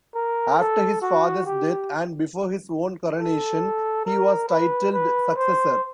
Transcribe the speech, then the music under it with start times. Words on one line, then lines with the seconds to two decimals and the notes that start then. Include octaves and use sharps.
After his father's death and before his own coronation, he was titled "successor".
0.15 A#4
0.60 A4
1.02 F#4
1.46 G4
3.19 A4
4.06 A#4
4.49 B4
4.92 B4
5.36 C5